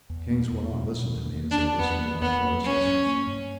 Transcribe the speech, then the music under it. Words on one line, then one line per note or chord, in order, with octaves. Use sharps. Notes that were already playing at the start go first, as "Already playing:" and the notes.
Kings will not listen to me as they listened to my predecessors.
E2
A#3
E2
B2
B2
E2
A#3
D4
E2
E2 B3
A#3
E2 B3
A#3
F#3 C#4
G2
A#3
G2